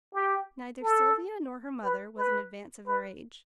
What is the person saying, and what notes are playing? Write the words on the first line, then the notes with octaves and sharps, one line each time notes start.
Neither Sylvia nor her mother was in advance of their age.
G4
A4
B4
B4
B4